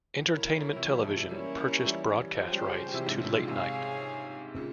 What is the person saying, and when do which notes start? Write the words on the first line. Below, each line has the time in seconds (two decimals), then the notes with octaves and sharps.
Entertainment Television purchased broadcast rights to "Late Night".
0.22 E4 A#4 C#5
0.76 C3 E3
0.85 F3
0.90 E3 G3
1.03 F3 G#3
1.17 E3 G3
1.30 E3 G3 A#3 C#4 E4 A#4 C#5
1.85 E3 G3
2.39 F3 C#4 G4 C5
2.53 G3
2.65 C#3 F3
2.94 C3 E3
3.07 G#2 C3
3.21 G2 A#2
3.34 G#2 C3
3.48 G#2 C3 G#4 C#5 F5 G#5
4.56 A#2 C#3